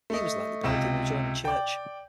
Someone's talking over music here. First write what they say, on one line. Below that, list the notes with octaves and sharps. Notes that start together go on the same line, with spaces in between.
He was likely buried in the adjoining church.
A3 D#5
C#2 C3 D#5 E7
D5 G5